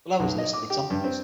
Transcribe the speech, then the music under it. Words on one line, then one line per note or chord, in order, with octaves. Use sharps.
Below is a list of examples.
B1
D#5
D6
G4
G2
C4